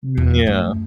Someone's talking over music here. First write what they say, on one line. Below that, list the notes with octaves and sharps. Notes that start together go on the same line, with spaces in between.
Mm, yeah.
E2
F#2 A3